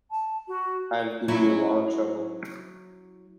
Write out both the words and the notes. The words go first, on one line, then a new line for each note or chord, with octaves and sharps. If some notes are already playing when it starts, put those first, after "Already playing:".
I've given you a lot of trouble.
A5
F#4
F#3 C#4 E4